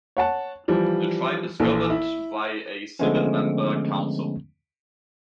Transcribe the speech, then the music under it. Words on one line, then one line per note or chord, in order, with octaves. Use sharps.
The tribe is governed by a seven-member council.
C#5 F#5 A5
E3 F3 G3
A#1 E3 A4
E4
D3 F3 G#3 A3 B3 C#4